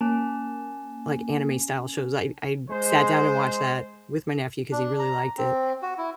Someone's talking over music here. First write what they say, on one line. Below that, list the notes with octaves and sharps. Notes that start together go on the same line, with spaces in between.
like, anime style shows, I I sat down and watched that with my nephew, 'cause he really liked it,
A#3 C#4 A5
G#3 C5
D4
A#5
C4
F#4
E4